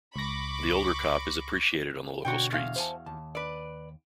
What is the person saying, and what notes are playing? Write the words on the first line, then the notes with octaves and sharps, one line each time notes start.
The older cop is appreciated on the local streets.
C#2 B5 C#6 D6 A#6
B2 D3 F#4 C#5 G5
E2 F5
C5 G#5 A5
D#2 A5
B4 D5